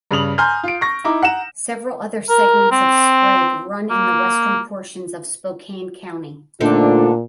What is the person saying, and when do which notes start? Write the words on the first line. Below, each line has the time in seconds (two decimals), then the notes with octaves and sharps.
Several other segments of Sprague run in the western portions of Spokane County.
0.11 G2 C#3 D#6 F7 F#7
0.38 G#5 A#5 C6 F6 G6
0.63 F4 D7
0.81 C#6 A#6
1.04 D#4 E4 A#5 D6
1.23 F#5 A#5 E7
2.29 A#4
2.71 C4
3.90 A#3
6.61 A#2 D3 A3 C4 D4 D#4 F4